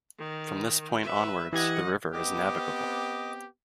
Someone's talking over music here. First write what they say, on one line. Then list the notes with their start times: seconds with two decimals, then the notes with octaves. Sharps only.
From this point onwards the river is navigable.
0.19 D#3
1.03 B4 E5
1.53 E3 G4 D#5 F#5 G#6
2.14 B3 C4 G4 D#5 D6